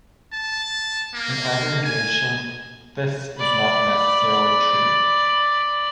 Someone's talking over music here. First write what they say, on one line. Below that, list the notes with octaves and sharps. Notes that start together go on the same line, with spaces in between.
In aggregation, this is not necessarily true.
A5
A#3
G#5
D5 B5